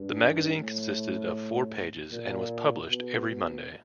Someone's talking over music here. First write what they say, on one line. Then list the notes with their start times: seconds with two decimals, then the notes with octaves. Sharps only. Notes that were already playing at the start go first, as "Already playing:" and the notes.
The magazine consisted of four pages and was published every Monday.
Already playing: G2
0.57 A2
2.12 A#2
2.90 B2
3.28 B2